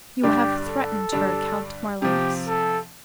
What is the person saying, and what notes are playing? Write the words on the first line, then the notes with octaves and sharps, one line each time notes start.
"You have threatened her, Count Marlanx."
G2 D3 G3 D4 G4
A4
G2 D3 G3 D4
C3 F3 C4 G4
A4